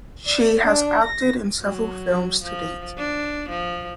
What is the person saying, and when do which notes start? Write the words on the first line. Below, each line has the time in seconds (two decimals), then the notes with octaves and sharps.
She has acted in several films to date.
0.25 D5
0.61 D4
1.03 A#6
1.62 F#3
2.43 F3
2.98 D4
3.49 F3